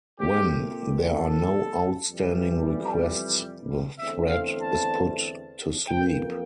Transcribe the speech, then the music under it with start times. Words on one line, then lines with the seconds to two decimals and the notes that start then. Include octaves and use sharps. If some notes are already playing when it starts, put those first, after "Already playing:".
When there are no outstanding requests, the thread is put to sleep.
0.19 A#2 A3 C4 G4
1.13 A4
2.08 F2 C3 E3 G3
3.98 E2 D3 A3 C4 E5
4.29 F5
4.61 A5
5.88 F2 E3 A#3 G5